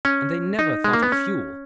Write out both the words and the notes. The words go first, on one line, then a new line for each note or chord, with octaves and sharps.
And they never thought of fuel.
C#4
D#4
G#3
A#3
B3
C#4